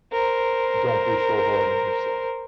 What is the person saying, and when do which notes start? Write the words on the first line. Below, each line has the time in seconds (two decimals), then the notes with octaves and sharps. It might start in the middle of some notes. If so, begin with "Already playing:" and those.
don't be so hard on yourself.
0.12 A#4 C5